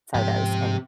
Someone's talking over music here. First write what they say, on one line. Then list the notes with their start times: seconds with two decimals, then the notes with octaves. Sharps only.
photos and
0.14 G#2 C3 F3 G#3 G4